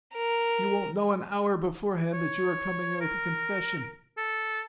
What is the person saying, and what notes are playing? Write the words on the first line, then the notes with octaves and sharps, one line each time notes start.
You won't know an hour beforehand that you are coming with a confession.
A#4
C#5
A#4
A4